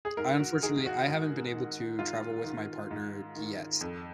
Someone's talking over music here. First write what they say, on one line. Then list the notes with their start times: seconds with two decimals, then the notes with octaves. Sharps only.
I unfortunately, I haven't been able to travel with my partner yet,
0.05 G#4
0.17 G#2 A#4
0.40 F#4
0.62 D#3 G#4
0.86 F#4
1.08 G#2
1.54 D#3
1.99 G#2 F4
2.44 D#3
2.91 G#2
3.36 D#3
3.81 F2